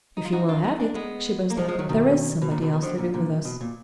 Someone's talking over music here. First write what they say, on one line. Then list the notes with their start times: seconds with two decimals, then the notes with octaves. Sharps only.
"If you will have it," she burst out, "there is somebody else living with us."
0.17 D#4
0.25 F4
0.32 D#4 F#4
0.48 D4 F4
0.64 B3 D#4
0.79 A#3 D4
0.95 G#3 B3
1.50 A#3
1.57 F3 G#3
1.68 F3 G#3
1.79 D#3 F#3
1.89 B2 D#3
2.42 B2
2.51 A#2 D3
2.62 B2 D#3
2.67 D3
2.73 B2 D#3
2.82 D3 F3
2.98 A#2 D3
3.14 A#2 D3
3.45 B2
3.61 A#2